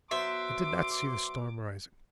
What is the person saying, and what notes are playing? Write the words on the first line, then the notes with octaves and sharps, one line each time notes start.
They did not see the storm rising.
F#3 B3 C5 E5 C6 D6